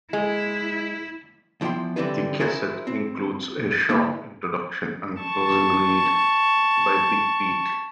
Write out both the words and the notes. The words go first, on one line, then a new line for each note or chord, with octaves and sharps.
The cassette includes a short introduction and closing read by Big Pete.
G#3 E4
E2 F3 E4 D5 G5 C6
D3 E3 G3 C4 F4 B4
E4 F#4 G#4 A#4 C5
C4
D3 A#3 E4 E5
A5 C#6